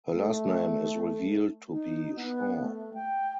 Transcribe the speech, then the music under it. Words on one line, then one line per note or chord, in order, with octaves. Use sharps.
Her last name is revealed to be Shaw.
A3
D#4
B3
A3
G5